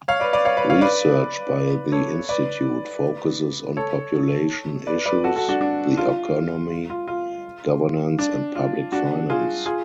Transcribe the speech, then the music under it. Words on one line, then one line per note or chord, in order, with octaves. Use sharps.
Research by the institute focuses on population issues, the economy, governance and public finance.
C#5 F5
B4 D5
B4 D5
C#5 F5
B4 D5
C#5 F5
B4 D5
A4 C#5
B4 D5
A4 C#5
B4 D5
B4 D5
F#4 A4
F#4 A4
D4 F#4
D4
F4
F4
F4
D4
F4
D4 F#4
F4 G#4
F4 G#4